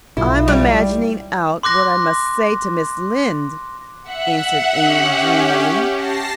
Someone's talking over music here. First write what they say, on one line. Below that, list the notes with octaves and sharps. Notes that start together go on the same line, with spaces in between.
"I'm imagining out what I must say to Mrs. Lynde," answered Anne dreamily.
B1 E4 F4
G3
C6 D6 F#6 A#6
E5 F#5
C#4 G4
A5 A#6 C7